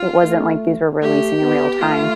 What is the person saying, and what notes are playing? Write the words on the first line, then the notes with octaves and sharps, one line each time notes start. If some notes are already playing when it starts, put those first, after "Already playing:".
it wasn't like these were releasing in real time.
Already playing: F4
A3
A3 G4
B3
A3 F4